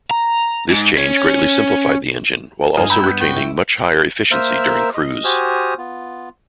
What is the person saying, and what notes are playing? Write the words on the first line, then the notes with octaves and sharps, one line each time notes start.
This change greatly simplified the engine, while also retaining much higher efficiency during cruise.
A#5
G#2
C#4
G2 G#3 D#4 F4 G#4
B3 E4 G5 A#5 B5 G6
F#6
F#4 G5
E4
A#3 A#4 C5 E5 E6 F6
D#5
F#4 G4 C5 G#5 D#6 F6
B3 F4